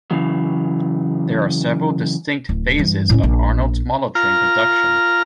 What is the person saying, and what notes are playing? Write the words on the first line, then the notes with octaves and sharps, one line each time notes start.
There are several distinct phases of Arnold's model train production.
C#3 E3 F#3
D1
G2 E3
A2 C#4
A#1
F4 A#5 F6